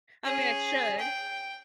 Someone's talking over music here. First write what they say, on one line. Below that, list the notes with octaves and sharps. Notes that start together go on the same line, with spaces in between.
I mean, I should,
C#4 G#4
G5